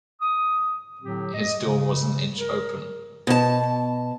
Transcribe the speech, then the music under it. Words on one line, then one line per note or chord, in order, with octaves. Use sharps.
His door was an inch open.
D#6
A2 D3 F#3 C4 G4
D#5
C#3
A#4
B2 A5